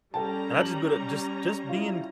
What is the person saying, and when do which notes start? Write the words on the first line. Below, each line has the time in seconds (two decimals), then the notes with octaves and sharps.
And I just but, uh, just just being k
0.14 G3 C#4 A4 G5 A5 A#5
0.61 F#7
1.69 E4 F4